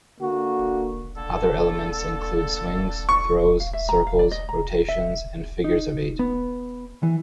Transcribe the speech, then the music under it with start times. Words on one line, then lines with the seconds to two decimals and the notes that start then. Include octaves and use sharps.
Other elements include swings, throws, circles, rotations and figures of eight.
0.21 D3 A#3 F#4
1.16 D3 A#3 A4
3.09 C#6
3.60 F5
3.73 E5
3.89 A#5
4.07 F5
4.19 D5
4.31 D#5
4.49 A#5
4.89 E5
5.64 D#4
6.19 B3
7.03 E3